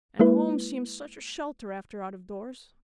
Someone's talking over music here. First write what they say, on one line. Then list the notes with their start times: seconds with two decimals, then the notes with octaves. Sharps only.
And home seems such a shelter after out of doors!
0.19 G#3 A#3 E4 B4